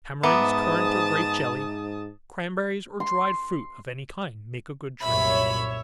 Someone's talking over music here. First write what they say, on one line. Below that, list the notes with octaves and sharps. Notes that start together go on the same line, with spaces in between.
Tamarinds, currant or grape jelly, cranberries, or dried fruit of any kind, make a good drink.
G#2 B3 E5 A5 A#5 D6 D#6
C6
C2 F#2 A#2 C#5 E5 B5